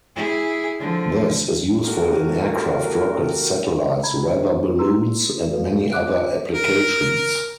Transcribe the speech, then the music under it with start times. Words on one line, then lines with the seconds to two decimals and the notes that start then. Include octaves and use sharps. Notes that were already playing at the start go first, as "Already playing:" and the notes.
This is useful in aircraft, rockets, satellites, weather balloons, and many other applications.
0.16 E4 G#4
0.79 D3 F3
1.85 A#3 E4 F#4 G4 A4 A#4
4.03 A#5 B5 G#6
4.30 C5
4.79 E4 G#4 B4 A#5 C6 E6
5.50 F#4 A4 B4 D5 F5
5.91 D6 F#6 D7
6.53 A#4